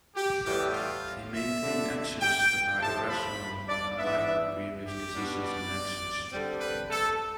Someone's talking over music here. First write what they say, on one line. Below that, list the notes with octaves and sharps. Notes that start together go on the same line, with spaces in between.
They maintain actions that are irrational, but align with previous decisions and actions.
G4
A2 E3 G3 B3 G4
F4
E5
D3 A3 D4
G5
C3 F3 A3 A5
B5
D5
E3 B3 D4 E5
G4
B2 G3 B3 D4
D5
D3 G3 C4
B4
A4